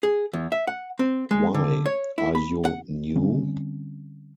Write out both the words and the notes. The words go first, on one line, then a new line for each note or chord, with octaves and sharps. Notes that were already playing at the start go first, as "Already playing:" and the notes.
Why, are you new?
G#4
E2
E5
F#5
C4
G#3
D3
C#5
E4
B5
F#5
D3 G3 C4 C#4